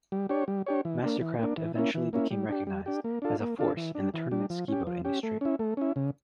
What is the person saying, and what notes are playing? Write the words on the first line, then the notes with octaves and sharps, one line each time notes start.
MasterCraft eventually became recognized as a force in the tournament ski boat industry.
G3
D4 G4 C#5
G3
D4 G4 C#5
E3
A#3 D4
E3
A#3 D4
E3
A#3 C#4 E4
E3
A#3 C#4 E4
G3
D4 G4
G3
D4 G4
A#3
D4 F4 A4
A#3
D4 F4 A4
E3
G3 D4
E3
G3 D4
F3
C#4 G4
F3
C#4 G4
A3
C#4 E4
A3
C#4 E4
C#3